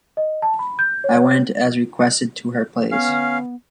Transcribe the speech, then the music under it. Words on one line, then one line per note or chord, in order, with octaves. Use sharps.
I went as requested to her place.
D#5
A5
B5
G6
C#5
B3 C#4 F5